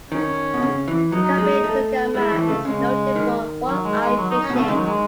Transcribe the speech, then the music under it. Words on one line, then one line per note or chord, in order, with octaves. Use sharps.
Kabetogama is noted for walleye fishing.
D#3 C#4
B2
C#3
E3
F#3 D#4
G#3
A3
G#3 E4
E3
A3
C#3
C#3 G#3
D#3
F#3
G#3
G#3
F#3
D#4
C#4
B2
C#3 A3
D#3 G#3
F#3
G#3